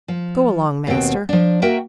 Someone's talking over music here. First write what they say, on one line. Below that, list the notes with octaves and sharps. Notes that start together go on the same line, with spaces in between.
'Go along, master!
F3
D#2 B2 B3 C4 G5
F3 D4
A#3 F#4 A#4 E5 G5